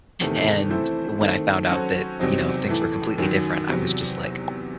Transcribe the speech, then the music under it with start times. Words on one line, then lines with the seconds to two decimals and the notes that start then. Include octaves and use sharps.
and when I found out that, you know, things were completely different, I was, just, like,
0.21 E2 C3 D#3 A3
0.70 E3 A3 C4 E4 C5
1.20 D#3 A3 C4
1.69 F#3 C#4 F#4 A4 C5
2.19 E2 C3 F#3 C4 D#4
2.69 A2 E3 A3
3.18 F#2 D#3 F#3
3.67 E2 C3 F#3